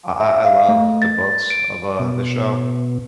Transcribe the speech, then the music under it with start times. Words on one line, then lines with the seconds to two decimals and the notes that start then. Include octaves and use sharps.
I I I love the books of, uh, the show,
0.20 E5
0.45 F5
0.68 A3
1.02 A6
1.50 D7
2.00 B2